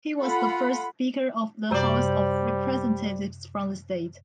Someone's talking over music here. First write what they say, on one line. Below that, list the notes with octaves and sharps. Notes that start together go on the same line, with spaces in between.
He was the first Speaker of the House of Representatives from the state.
F4 A4 F#5 B5
F#2 C3 G3 C5 D5